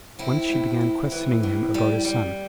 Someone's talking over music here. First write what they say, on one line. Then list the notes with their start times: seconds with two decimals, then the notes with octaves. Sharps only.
Once she began questioning him about his son.
0.19 A2 C4 E4
0.50 A2
0.81 A2
1.12 E3
1.43 A2
1.74 G3
2.05 G3